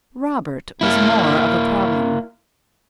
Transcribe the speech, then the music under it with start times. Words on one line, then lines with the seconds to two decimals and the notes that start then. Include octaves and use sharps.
Robert was more of a problem.
0.81 A#3 E4